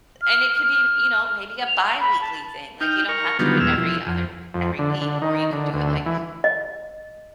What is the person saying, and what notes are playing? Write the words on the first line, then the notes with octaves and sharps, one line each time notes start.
and it could be, you know, maybe a biweekly thing, like, you don't have to do it every other every week, or you could do it, like
F6
F6
F7
B5
A5
D#4 G5 F6
A#4 C#6 F6
D3 D#3 F#3 G3 B3 F4
E2 B2 G#3 E6 F6
F3 E4
F2
F2
D3
D3
D#3
D3
D2
E3
D#5